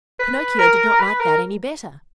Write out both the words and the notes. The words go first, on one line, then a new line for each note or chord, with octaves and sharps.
But Pinocchio did not like that any better.
B4
A#4
B4
A#4